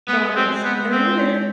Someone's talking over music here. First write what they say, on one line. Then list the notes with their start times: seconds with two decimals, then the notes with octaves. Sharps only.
job listing. And even if
0.08 G#3 B3
0.36 C4
0.65 B3
0.91 C4